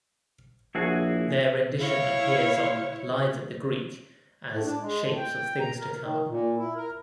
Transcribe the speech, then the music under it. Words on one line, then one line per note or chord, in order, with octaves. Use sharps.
Their rendition appears on "Live at the Greek" as "Shapes of Things to Come".
A#1 E4 F#4 G#4
E4 C#5 F5
A2
D4
G#3
A2
G5
A#5
A#4
D#3
A#2
E4
A#4